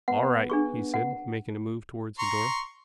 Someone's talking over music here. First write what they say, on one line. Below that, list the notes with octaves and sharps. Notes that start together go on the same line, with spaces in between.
"All right," he said, making a move towards the door.
B3 F#5
D4 G#4 C#6
F#5
A#5 C6 C#6